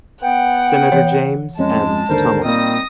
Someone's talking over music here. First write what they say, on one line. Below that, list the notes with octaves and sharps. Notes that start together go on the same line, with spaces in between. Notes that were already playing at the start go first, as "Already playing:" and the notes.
Senator James M. Tunnell.
B3 F#5 G5
E3 C#5
F2 G#3 C#4 A5
D#2 G#2 D3 A#4 C5
A#2 D#3 G3 A#3 C4 D#6 A#6